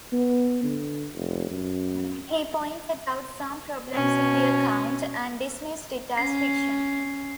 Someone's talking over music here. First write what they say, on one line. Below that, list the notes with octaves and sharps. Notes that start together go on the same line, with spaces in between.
He pointed out some problems in the account and dismissed it as fiction.
B3
D3
F1
F#2
B2 C#4
C#4 C7